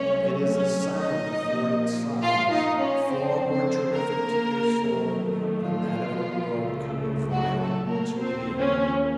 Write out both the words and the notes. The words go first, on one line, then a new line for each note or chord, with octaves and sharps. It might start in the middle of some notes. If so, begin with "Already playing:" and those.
It is a sound, for its size, far more terrific to your soul than that of a world coming violently to an end.
Already playing: C2 C3 F#3 A3 C#4 C#5
C#4 C#5
D#4 D#5
A#2 F3 A#3
F4 F5
D#4 D#5
C#4 C#5
F2 C#3 A3 C4 C5
C4 C5
A#3 A#4
F2 D#3 F#3 A3
F3 F4
C#2 C#3 A3
F#3 F#4
A3 A4
A#3 A#4
D#2 C#3 F3 A#3 C4 C5
C#4 C#5